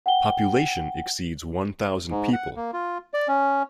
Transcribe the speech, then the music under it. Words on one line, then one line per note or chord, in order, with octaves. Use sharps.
Population exceeds one thousand people.
F#5 G5 G7
G#2
F#5
A#3
F4
D5
C#4